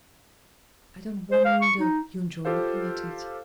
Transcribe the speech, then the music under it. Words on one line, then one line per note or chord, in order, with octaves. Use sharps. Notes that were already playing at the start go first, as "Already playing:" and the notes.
I don't wonder you enjoy looking at it.
C5
F5
C#6
D#4
F4 G4 A4 C5 F5